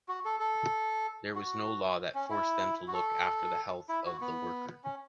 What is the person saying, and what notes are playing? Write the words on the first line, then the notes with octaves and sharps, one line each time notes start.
There was no law that forced them to look after the health of the worker.
F#4
A4
A4
F#4
C#4
E4
F#4
A4
E4
F#4
B3
C#4